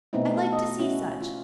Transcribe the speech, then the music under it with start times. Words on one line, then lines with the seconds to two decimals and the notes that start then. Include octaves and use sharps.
I like to see such.
0.13 B2 A3 B3 C4 D#4 E4
0.36 F#4 A4
0.53 D#5
0.79 C#4 E4 F#4
1.21 F4